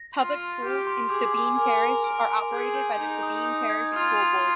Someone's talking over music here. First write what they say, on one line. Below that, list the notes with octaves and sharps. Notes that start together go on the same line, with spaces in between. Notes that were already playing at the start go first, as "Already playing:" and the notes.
Public schools in Sabine Parish are operated by the Sabine Parish School Board.
Already playing: A#6
F4 C6
C6
G4 F6
C6
G#4 D6
G#5
A#4 G#5
D6
A#4 D7
C6
G#4 G6
G6
D#4 A#5
D#6
D#6
G#6
F4 F6
F7
F6